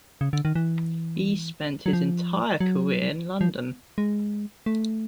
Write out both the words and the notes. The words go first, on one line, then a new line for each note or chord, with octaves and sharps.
He spent his entire career in London.
C#3
D3
D#3
E3
F#3
F3
F#3
F3
G#3
A3